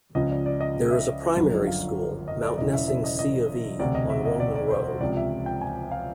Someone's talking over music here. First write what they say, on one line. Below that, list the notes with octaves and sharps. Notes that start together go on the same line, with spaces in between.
There is a primary school, Mountnessing C of E, on Roman Road.
C#2 C#3 F3 D#5
D5
D5
D#5
E5
G1 F#2 D3 F3
F5
D#5
D5
E1 E2 C#3 D#5
E5
E5
D#5
D#5
E1 D2 C3 D5
D#5
E5
D#5
D5
D5
C5
C#2 C3 F3 D5
E5
G5
G#5
F5